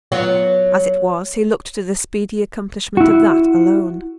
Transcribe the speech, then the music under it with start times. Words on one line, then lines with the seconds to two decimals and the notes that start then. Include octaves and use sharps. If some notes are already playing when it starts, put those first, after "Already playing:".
As it was, he looked to the speedy accomplishment of that alone.
0.12 F#3 B3 F4
2.97 E4 F#4